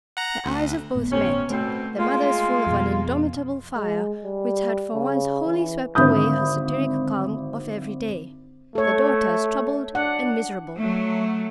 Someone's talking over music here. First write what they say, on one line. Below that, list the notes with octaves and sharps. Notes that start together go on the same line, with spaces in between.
The eyes of both met--the mother's full of an indomitable fire which had for once wholly swept away her satiric calm of every day; the daughter's troubled and miserable.
F#5 A#5
D2
G1 A2 B3
C3 C#4
B2 A3 C4
G#3 A#3 F4
F2 B2
G#3
G3
C#3
E3
G#1 D3 E5 B5 D#6 G6
A3 A4 C#5
D4 F#5
F#3 A3